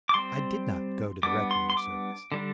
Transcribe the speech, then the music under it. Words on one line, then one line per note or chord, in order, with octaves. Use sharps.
I did not go to the requiem service.
D6
G3 C4 C6
G3 B3 D4 D6
C6
C6
D6
D3 G3 D4